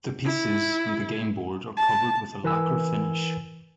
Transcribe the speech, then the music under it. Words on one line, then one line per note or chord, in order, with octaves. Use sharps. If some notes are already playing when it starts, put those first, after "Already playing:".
The pieces and the game board are covered with a lacquer finish.
E4
A5
E3 A#4 B4 G#5 E6